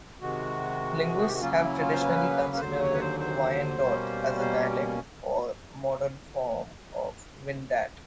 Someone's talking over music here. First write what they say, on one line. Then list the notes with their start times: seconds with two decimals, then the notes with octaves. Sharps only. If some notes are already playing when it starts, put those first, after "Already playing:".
Linguists have traditionally considered Wyandot as a dialect or modern form of Wendat.
0.21 C3 D#3 G#3 F#4
1.19 G#4
1.27 G4
1.33 F#4
1.40 C#3 F#3 A#3 C#4 F4
1.54 F4
1.60 E4
1.81 F4
1.93 C5
2.00 B4
2.57 B4
2.60 D#2 D3 F#3 C5
2.81 C#5
2.94 B4
3.00 C5
3.20 C5
3.80 B2 G3 A#3 C#4
4.41 C5